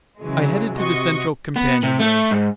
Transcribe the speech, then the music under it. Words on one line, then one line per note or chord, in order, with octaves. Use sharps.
I headed to the central companionway.
C#3 E3 F#3 G#3
C3 F#4 D#5 C#6
B3
C3
A3
G#2